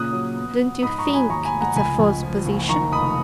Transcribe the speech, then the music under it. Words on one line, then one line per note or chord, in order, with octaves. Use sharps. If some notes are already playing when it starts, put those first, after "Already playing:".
"Don't you think it's a false position?"
Already playing: A#2 C#3 D#6 F#6
F#3
B3
B3
G#2 B5 D#6
A#5 C#6
F#3
G#5 B5
D#2 A#5 C#6
G#5 B5
F1
F#5 A#5
C#2 G#5 B5
C#2
F3
F#1
D#3 A#5 C#6
F1 B5 D#6